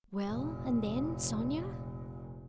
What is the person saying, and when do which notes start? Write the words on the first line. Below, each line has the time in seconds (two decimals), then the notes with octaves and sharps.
"Well, and then, Sonya?..."
0.24 F1 A#2